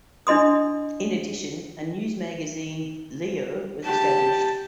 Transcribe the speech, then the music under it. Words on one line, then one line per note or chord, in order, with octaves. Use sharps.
In addition, a newsmagazine, "Leo", was established.
D4 E4 D#5 C6 D#6
G4 A5